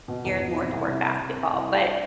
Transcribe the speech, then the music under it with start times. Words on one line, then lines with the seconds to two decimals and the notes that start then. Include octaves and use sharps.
geared more toward basketball. But,
0.08 B2
0.25 E2
0.41 B2
0.57 C4
0.72 C2
0.89 C3
1.04 C3
1.20 C3
1.37 C3
1.53 C2
1.68 A3
1.84 D4